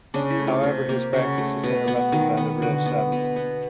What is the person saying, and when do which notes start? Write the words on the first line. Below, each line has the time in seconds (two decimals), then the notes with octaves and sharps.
However, his practice is interrupted by the real Seven.
0.14 C#3 D4
0.30 E4
0.39 A3
0.47 F4
0.63 C3
0.89 A#3 G4
1.13 C#3 F#4
1.38 A3
1.63 B2
1.87 B3
2.12 D#3
2.37 B3
2.62 D3 F#4
2.86 B3
3.12 B2
3.36 B3